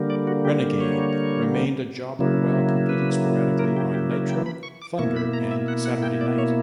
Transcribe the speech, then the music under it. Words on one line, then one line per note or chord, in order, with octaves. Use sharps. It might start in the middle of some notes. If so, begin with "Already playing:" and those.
Renegade remained a jobber while competing sporadically on "Nitro", "Thunder", and "Saturday Night".
Already playing: D3 G3 A#3
D5
F#4
G4
C#5
C#3 F#3 A#3 E4
B4
A#4
G4
G4
A#4
G5
B5
C#6
D6
B2 A#3 E4 C#6
B5
A#5
E5
F#5
F#5
G5
D5
C#5